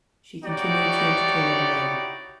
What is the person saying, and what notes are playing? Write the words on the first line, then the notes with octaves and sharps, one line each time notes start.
She continued to entertain other men.
D#4 E4 F#4 G4 C#5 D5